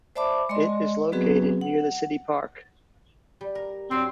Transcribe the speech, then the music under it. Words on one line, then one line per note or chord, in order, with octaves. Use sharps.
It is located near the City Park.
C5 D5 E5 A5 B5 D6
G#3 D5 D#5 C6
F#3 B3 C4 F#4 G#4 B4
F#5
G3
A#4
G2 F#3 C4 F5